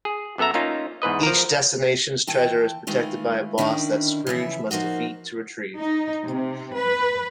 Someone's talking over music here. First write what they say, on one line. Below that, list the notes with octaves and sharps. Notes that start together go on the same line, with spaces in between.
Each destination's treasure is protected by a boss that Scrooge must defeat to retrieve.
G#4
F#2 B3 A4 E5 A#5
A#3 C#4 D#4 F4
E2 G#2 B4 D#5
F3 A#4
D#2 E3 G5 A5
D#3 E3 G#3 A3 F4
D3 D#3 C#4 D4 E4
C#3 E3 F3 E5
F3 A#3 D#4 F#4
D#4
C3
B4